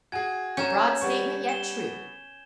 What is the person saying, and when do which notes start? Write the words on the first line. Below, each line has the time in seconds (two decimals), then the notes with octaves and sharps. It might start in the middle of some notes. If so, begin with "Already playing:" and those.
A broad statement, yet true.
0.12 F#4 G#4 G#5 G#6
0.57 C#4 A#4 G6 G#6 E7
1.01 G3 B3 C#6
1.49 E7 G7